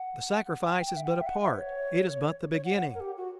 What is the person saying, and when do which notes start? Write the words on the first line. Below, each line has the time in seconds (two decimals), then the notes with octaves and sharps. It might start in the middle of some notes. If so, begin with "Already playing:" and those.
The sacrifice is but a part--it is but the beginning.
Already playing: F#5
0.64 G5
0.87 G5
0.97 E5
1.04 F#5
1.11 G5
1.21 E5
1.26 F#5
1.43 E5
1.53 B4
1.59 C#5
2.53 C#5
2.65 F#5
2.77 F#5
2.95 A#4
3.00 G4
3.17 F#4